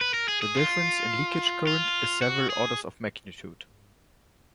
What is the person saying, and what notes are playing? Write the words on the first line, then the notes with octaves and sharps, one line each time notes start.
The difference in leakage current is several orders of magnitude.
B4
A#4
G#4
G#4
F4
F4
F#4
G#4